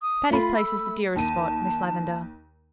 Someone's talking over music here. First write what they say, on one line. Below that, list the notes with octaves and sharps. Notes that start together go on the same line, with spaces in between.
Patty's Place is the dearest spot, Miss Lavendar.
D#6
A3 F4 B5
E6
D#2 A5 D#7